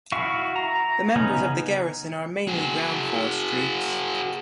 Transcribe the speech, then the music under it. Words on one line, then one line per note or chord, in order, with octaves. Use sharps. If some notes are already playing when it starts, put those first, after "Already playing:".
The members of the garrison are mainly ground force troops.
E4 F#4 F5 C#6
A#5
C#3 B3 C#4 D#4
F#4 G#4